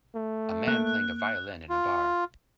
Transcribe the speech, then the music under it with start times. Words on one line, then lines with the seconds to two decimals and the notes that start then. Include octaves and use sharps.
A man playing a violin in a bar.
0.15 A3
0.68 A#3 F#6
1.69 F4